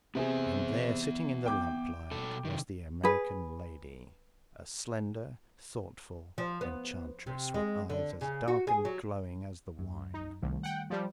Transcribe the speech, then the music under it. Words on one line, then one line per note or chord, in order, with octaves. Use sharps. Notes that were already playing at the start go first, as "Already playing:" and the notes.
And there, sitting in the lamplight, was the American lady--a slender, thoughtful enchantress with eyes as dark and glowing as the wine.
C3 B3 C4 G#4 E5
G5 D6 G6
B2 A4
C3 D#3
G#4 B4
F3
B3
C3
G#3
D3
C#3
F#4
G#4
F#3
F#2
D#4
C2 D#3 G3 A3
F#5 G5
F3 G3